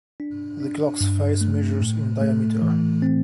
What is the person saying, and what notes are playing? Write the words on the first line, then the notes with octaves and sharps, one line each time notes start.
The clock's face measures in diameter.
D4
D4
G2
A3
A2
A3
E3
C4